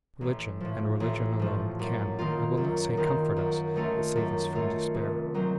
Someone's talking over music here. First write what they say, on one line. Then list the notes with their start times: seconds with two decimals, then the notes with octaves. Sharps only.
Religion, and religion alone, can--I will not say comfort us--but save us from despair.
0.21 A1
0.60 A2 F3
1.00 A1
1.39 A2 F3
1.79 F#2
2.19 D#3 A#3 F4
2.57 F#2
2.97 D#3 A#3 F4
3.36 F#2
3.76 D#3 A3 C#4 F4
4.16 F#2
4.55 D#3 A3 C#4 F4
4.94 F1
5.34 D#3 F#3 C4